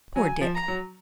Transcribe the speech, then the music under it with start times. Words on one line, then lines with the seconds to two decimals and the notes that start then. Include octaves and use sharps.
Poor Dick!
0.16 F#3 G#5
0.41 F3
0.55 A#5
0.68 F#3